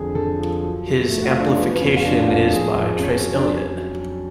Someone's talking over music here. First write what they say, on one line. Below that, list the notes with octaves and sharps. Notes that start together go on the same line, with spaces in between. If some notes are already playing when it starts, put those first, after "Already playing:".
His amplification is by Trace Elliot.
Already playing: F2 D3 G#4
D3 A4
F3
F#3
F#3
F#3 A3
F#4
F#3 F4
D4
C#4
F3 B3
B3
F2 C#4
F4
F3 D4
F2 F4
F2 G#4
F2
F2 C#4
F#3
D4
F#3 C#4
F#3
F#3